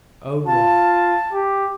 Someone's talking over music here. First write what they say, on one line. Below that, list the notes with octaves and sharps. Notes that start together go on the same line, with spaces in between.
Own what?
F4 A5
G4